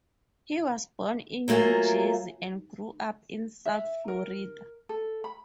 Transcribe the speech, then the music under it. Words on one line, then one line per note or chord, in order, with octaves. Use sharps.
He was born in New Jersey and grew up in South Florida.
F#3 A3 A#3 F4 G#4
E5
A#4
A4
B5